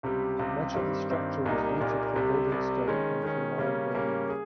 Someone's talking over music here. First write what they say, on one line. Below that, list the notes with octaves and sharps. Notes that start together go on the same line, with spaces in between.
Much of the structure was looted for building stone and for lime burning.
C#2 C3 G3
C#2 C3 G3
G2 D#3 G3 C4
G2 D#3 G3 C4
C2 A#2 G3 A#3 D#4
C2 A#2 G3 A#3 D#4
C2 C3 G3
C2 C3 G3
D#3 G#3 C#4
D#3 G#3 C#4
C#3 G3 A#3 C#4
C#3 G3 A#3 C#4
G#4